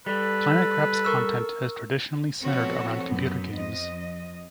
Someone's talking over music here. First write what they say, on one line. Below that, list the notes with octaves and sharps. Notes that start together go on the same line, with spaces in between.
PlanetCrap's content has traditionally centered around computer games.
G3 A4 B4
A#4 C#6 E6
F3 B3 C4 F#4 A4 C#5
F#2 B3
F2 D#5